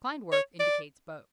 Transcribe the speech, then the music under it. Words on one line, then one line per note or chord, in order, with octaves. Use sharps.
Klindworth indicates both.
C#5
D5